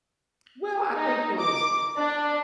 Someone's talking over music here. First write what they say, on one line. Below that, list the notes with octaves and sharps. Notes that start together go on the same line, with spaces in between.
Well, I think it was
D#4
D6
D4